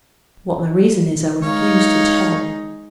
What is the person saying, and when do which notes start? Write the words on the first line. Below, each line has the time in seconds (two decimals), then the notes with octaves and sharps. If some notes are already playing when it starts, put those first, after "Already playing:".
What my reason is, I refuse to tell.
1.43 G#3 D#4 C#5 F5